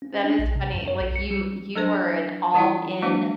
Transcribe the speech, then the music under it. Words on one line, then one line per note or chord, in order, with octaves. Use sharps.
that is funny, like, you you are an all-in
C#4
D4
A#1
C3
F#2
C#5
B1
C#7
G3
F#3 D4 A#4 C5 D#5
E3 G3 E4 F4 G5
F#3 G#3 A#3 D4 F#4